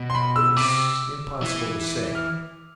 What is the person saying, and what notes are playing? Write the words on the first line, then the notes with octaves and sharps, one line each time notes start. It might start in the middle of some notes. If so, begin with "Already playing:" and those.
It was impossible to say.
Already playing: B2
C6
B5
E6
C3 D6
E3
F6